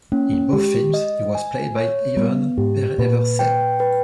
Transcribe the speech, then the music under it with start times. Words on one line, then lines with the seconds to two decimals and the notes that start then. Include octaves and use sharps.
In both films he was played by Ivan Pereverzev.
0.12 A#3 C#4
0.33 A#3
0.53 G#3 G4
0.94 D#5
1.35 G#5
1.76 C#5
2.17 G3 B3
2.58 G#2 G4
2.98 A#2 B4
3.39 G5
3.80 B4